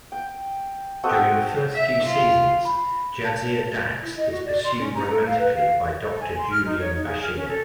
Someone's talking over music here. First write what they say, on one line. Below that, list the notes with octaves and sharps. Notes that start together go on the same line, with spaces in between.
During the first few seasons, Jadzia Dax is pursued romantically by Doctor Julian Bashir.
G5
C4 F#4 A4 D#5
E5
F4
B5
A5
E4
D#5
F#4
D5
C6
C#4
A#5
A4
F5
B4
F5
A4
G#5
C6
F6
D#4
C#5
D#4
G#4
F6
C#4
A4